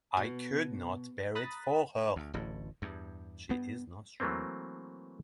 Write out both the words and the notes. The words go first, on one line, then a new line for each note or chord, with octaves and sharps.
I could not bear it for her! — She is not strong.
B2
A#5 B5 D#6 F#6 A6 B6
D2
D1 A1 A2
E2 G2
G2 B3
E3 F#3 A3 A#3 C4